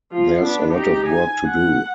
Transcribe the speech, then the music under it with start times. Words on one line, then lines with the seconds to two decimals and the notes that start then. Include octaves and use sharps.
There's a lot of work to do.
0.12 F3 F4
0.43 B3 D4
0.74 D#4 G4
1.06 G#5
1.46 F#5